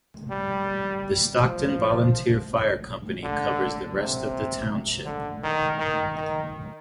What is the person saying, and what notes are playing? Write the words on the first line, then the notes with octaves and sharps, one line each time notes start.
The Stockton Volunteer Fire Company covers the rest of the township.
G3
F3
D3
C3
D3
D#3
D#3
D#3